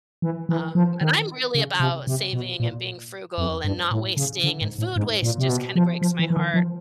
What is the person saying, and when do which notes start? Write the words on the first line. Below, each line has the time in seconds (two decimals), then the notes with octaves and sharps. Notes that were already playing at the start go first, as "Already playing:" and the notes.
Um, and I'm really about saving, and being frugal, and not wasting, and food waste just, kind of, breaks my heart.
0.22 E3
0.49 E3
0.75 F3
1.01 D#3
1.55 C#3
1.80 C3
2.07 C3
2.33 B2
2.60 A#2
3.38 F2
3.64 G2
3.91 A2
4.17 C#3
4.44 D3
4.62 G#2
4.79 A2
4.96 G#2
5.23 A#2
5.38 C3
5.49 B2
5.76 F3
6.02 F3
6.19 E3
6.30 E3
6.37 D#3
6.54 F3